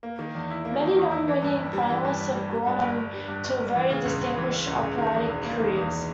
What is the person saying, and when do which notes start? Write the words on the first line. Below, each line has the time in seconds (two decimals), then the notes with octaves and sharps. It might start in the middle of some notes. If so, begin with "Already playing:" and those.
Many non-winning finalists have gone on to very distinguished operatic careers.
0.03 A#3
0.19 D#3
0.35 E2
0.51 E4
0.65 A#3
0.80 D#3
0.96 E2
1.11 E4
1.28 E3
1.42 G2
1.58 G1
1.73 G3
1.89 E3
2.05 G2
2.20 G1
2.35 G3
2.51 G3
2.67 G2
2.82 G1
2.97 G1
3.13 G3
3.28 G2
3.44 G1
3.60 G1
3.75 E3
3.90 C#3
4.05 C#2
4.21 C#2
4.37 E3
4.51 C#3
4.67 C#2
4.83 C#2
4.98 D#3
5.14 E2
5.29 E1
5.44 A#3
5.60 D#3
5.76 E2